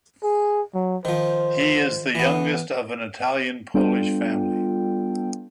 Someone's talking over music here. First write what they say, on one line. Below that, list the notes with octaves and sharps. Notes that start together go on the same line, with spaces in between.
He is the youngest of an Italian-Polish family.
G#4
F#3
D#3 F3 C5
E3 B3
G3 B3 D4 F4 A4 G5